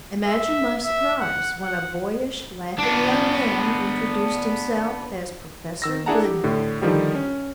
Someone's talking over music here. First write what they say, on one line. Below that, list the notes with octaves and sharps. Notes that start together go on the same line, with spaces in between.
Imagine my surprise when a boyish, laughing young man introduced himself as Professor Glenholdt.
E5
E5
F#5
F#5
B3 D4
D#3 E6 A#6
D4 E4 G#4 F#5 A5 A#5
G4
A2 D3
D3 D#3 F3 G3 G4
C#4